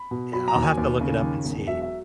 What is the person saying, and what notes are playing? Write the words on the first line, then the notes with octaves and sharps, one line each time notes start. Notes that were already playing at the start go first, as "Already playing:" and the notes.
Yeah, I'll have to look it up and see.
Already playing: B5
B2
F#3 B5
A#5
D#2
G#5
D#2
C#3
D#3
E1
F#3 E5
E5